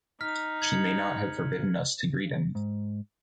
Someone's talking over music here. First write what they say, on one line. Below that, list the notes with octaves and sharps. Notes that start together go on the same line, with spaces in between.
She may not have forbidden us to greet him!
D#4 F6 B6
G#6 C#7 F#7
G#2